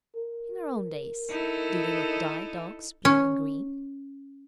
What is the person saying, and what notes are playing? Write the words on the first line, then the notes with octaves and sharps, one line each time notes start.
In our own days do they not dye dogs blue and green?
A#4
D#4 E4 A4
C#4